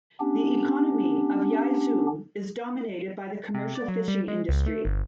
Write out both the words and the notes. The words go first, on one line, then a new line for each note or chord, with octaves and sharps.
The economy of Yaizu is dominated by the commercial fishing industry.
B3 C#4 D4 G4
C3
D5
F#3
G3
G#3
C#2
A3
G1